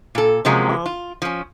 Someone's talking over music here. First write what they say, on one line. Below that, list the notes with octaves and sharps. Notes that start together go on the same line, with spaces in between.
Um, y
A#2 A4
C3 F3 F#3 G#3 A#3 C#4
F4
F3 C#4